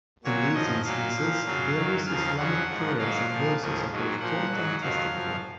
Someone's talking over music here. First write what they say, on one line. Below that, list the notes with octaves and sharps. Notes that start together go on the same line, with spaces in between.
In these instances, various Islamic prayers and verses are both taught and tested for.
A#2 F#3 C#5
F#2 F3 D#5
A#2 F#3 F5
A#2 F3
F#2 C#3 F#3
F#2 D#3 F#3
D#2 C#3 F3 F5
F2 C#3 F#3 F#5
G#2 F3
G#2 F#3 F5
A#2 F3
D#2 C#3 F3
G#2 D#3 F#3
A#2 F3 F#5
G#2 F#3
F2 D#3 F#3 F5
F#2 F3